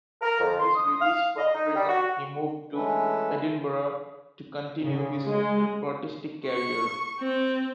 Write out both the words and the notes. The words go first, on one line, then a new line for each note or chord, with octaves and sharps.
On his release from prison he moved to Edinburgh to continue his artistic career.
A#4
F2
C6
D#6
F5
D#5
D#4
G3
F#4
E3 G#3 A3 C#4 A4 B4
C#3
G#3
C#6
C4